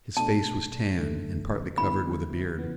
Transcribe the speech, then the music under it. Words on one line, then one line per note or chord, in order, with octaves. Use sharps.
His face was tanned and partly covered with a beard.
B2 A3 D4 A5
F#2 D3 A3
D3 G3 B3 E4 B5
C#3 E3 B3